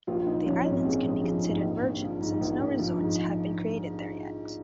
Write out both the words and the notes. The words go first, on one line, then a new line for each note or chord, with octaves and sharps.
The islands can be considered virgin since no resorts have been created there yet.
A#1 F4
A#1 D#4
F3 C#4
G#2 C4
A#1 G#4
A#1
F3 G#4
G#2
A#1
A#1
F3
G#2
A#1
A#1
F3
G#2